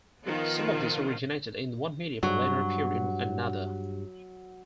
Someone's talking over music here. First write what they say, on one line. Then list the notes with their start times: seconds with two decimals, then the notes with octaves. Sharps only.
Some of these originated in one medium and later appeared in another.
0.24 D#3 F3 B3 F4
2.23 G2 F#3